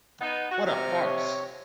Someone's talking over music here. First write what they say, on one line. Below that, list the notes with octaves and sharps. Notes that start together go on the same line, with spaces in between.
What a farce!
B3 D#4
F#4
C3 A#5 F6
C#5